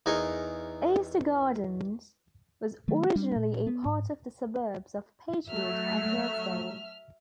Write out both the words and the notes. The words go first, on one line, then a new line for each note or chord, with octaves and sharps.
Eastgardens was originally a part of the suburbs of Pagewood and Hillsdale.
E2 D#4 G#4 A#4 G#5 C#6
D#3 F#3 A3
G3 D4
A#2
B3
G#2
F#3 A3 E5 F6